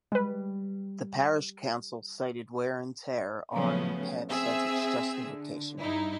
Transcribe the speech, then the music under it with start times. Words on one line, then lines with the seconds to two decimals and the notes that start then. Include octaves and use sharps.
The Parish Council cited wear and tear on paths as its justification.
0.12 G3 G#3 B4
3.53 C#3 F3 F#3 A3 B3 C#4
4.30 C4 G#4 E5 E6
5.28 D3
5.80 G2 D#4 E4